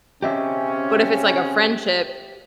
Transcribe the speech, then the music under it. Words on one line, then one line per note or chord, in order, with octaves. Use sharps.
But if it's, like, a friendship,
C#3 C4 C#4 G4 D#5 E5